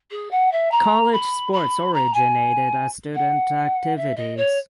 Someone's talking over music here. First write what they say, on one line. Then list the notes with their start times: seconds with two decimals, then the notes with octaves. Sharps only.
College sports originated as student activities.
0.11 G#4
0.31 F#5
0.52 E5
0.72 A#5
1.13 B5
1.53 B5
1.94 A#5
2.14 G#5
3.15 F#5
3.96 E5
4.17 D#5
4.37 C#5